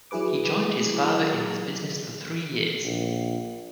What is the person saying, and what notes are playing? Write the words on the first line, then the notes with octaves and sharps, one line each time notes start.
He joined his father in his business for three years.
F#3 E4 G#4 B4 D6
A#1